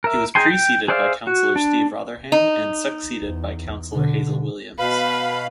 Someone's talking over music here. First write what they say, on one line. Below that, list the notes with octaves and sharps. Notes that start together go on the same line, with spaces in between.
He was preceded by Councillor Steve Rotherham and succeeded by Councillor Hazel Williams.
A#4 E5
D#4 G#4 G5 G#5 C6
G5
G#4 C5 D5 E5 F5
F#4
D4
D#4
E2
B2 D3
B2 B4 F5 B5